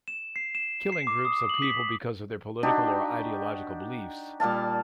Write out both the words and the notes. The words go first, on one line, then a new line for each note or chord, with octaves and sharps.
Killing groups of people because of their political or ideological beliefs.
E7
C7
E7
C7
D6
D#6
F#7
B6
D4 D#4 F#4 G4
A#2 G3 F5 A5